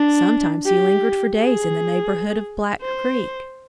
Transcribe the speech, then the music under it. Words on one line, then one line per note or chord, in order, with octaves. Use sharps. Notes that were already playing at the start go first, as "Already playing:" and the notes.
Sometimes he lingered for days in the neighborhood of Black Creek.
Already playing: D4
G4
G#4
C5